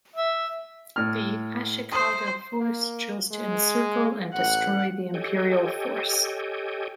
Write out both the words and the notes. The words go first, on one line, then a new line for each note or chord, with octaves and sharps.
The Ashikaga force chose to encircle and destroy the Imperial force.
E5
A2 F6
C5 D#6
A#3
G#3
A1 F#5
G4 A4 C#5 D#5 G5 G#5